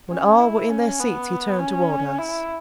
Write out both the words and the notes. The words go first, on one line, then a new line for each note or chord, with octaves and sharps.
When all were in their seats he turned toward us.
C#4
E4
C#4
B3
C#4
E4